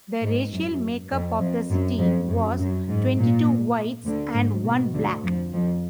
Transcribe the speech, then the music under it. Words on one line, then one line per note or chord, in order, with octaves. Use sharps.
The racial makeup of the city was twenty-two whites and one black.
G#2
F#2
F2
F2
F#2
F2
F#2
F#2
G#2
A#2
D2 D3
G#2
B2
D2 D3
F2 F3
F2 F3